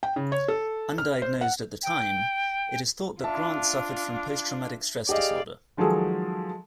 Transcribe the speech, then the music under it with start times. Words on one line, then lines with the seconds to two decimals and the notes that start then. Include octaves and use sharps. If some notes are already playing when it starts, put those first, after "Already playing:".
Undiagnosed at the time, it is thought that Grant suffered from post-traumatic stress disorder.
0.03 G5
0.16 C#3
0.32 C#5
0.48 A4
0.98 F6
1.22 C5
1.41 F#5
1.83 G5
3.21 D4 F4 E5 A5
5.09 G4 G#4 D5 D#5 F5
5.77 D#3 F3 F#3 G#3 G#4 A4